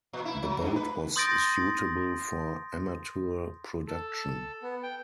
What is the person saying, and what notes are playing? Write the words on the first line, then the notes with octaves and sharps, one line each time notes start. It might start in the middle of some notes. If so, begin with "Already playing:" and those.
The boat was suitable for amateur production.
A#2
E4
F#3
G2
B4
C6 D#6 G6 A6 A#6 D7
A4
B3
G5